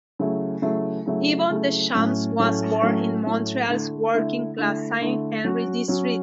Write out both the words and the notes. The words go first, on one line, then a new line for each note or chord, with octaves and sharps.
Yvon Deschamps was born in Montreal's working-class Saint-Henri district.
C#3 F#3 A3 E4
C#3 F#3 A3 E4
C#3 F#3 A3 E4
C#3 F#3 A3 E4
A2 F#3 A3 C#4
A2 F#3 A3 C#4
A2 F#3 A3 C#4
A2 F#3 A3 C#4
D3 A3 E4
D3 A3 E4
D3 A3 E4
D3 A3 E4
F#3 C#4 F#4
F#3 C#4 F#4